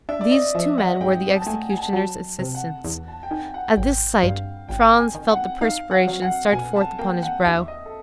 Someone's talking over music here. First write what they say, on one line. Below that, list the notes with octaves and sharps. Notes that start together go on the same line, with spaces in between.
These two men were the executioner's assistants. At this sight Franz felt the perspiration start forth upon his brow.
D4 E5
D5
D#5
F3 E5
F#5
G#2 G5
A5
A3 G#5
G#5
A5
G#5
F#3 A5
C3
F#5
E2
A5
G5
D#3 G#5
F#5
G#1 G5
G2 F5
G#1 G5
G#5
D#3
F#5
D#4 F5
F#5
F#3
F#5
B2 G#5
A5
A#3 G5
F#5
D#2 E5
D#5
A4